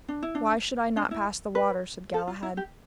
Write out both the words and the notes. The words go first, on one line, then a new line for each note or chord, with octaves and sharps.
Why should I not pass the water? said Galahad.
D4
E4
D4
D4
E4
B4
A4
F4
E4
G4